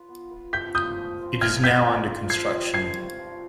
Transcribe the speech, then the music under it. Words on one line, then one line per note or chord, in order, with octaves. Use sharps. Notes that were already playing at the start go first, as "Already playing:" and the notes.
It is now under construction.
Already playing: F4 B4
B3
F4 B4
F3 G6 B6
C4 F4 C5 D#6 G6
F3
C4 F4 C5
F3 F6 G#6
C4 F4 C5 G6 B6
F3
C4 F4 C5
F3 G#6 C7
C4 G4
F3 G#6 C7
C4 G4
F3